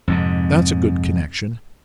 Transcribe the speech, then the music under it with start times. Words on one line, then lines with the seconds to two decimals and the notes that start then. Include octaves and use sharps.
'That's a good connexion!
0.08 F2 G#2 C3